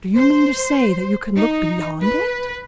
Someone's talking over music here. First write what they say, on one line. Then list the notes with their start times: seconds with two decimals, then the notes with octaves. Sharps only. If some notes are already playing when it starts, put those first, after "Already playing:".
"Do you mean to say that you can look beyond it?"
0.16 C5
1.36 D#4
2.01 B4